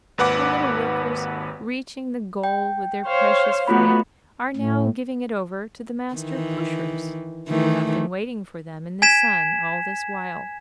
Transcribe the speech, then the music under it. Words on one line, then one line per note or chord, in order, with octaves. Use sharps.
The little workers, reaching the goal with their precious freight, are now giving it over to the Master Pushers, who have been waiting for them in the sun all this while.
G#1 D#2 B4 F#5 D6
G5
C5 C#5 F5
A3 B3 F4 F#4 B5
A2
D#3 E3
D#3 E3 A3
G#5 G#6 B6 E7